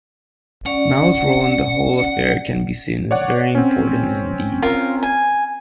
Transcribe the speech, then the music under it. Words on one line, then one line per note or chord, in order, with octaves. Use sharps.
Mao's role in the whole affair can be seen as very important indeed.
C#4 D5 F#5
C#5 D5 F#5
C4 C#4
F4 A#4
G#5